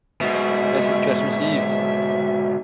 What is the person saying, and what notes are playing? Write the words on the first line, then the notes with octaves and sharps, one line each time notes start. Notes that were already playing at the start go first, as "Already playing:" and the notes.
This is Christmas Eve.
G#2 B2 E5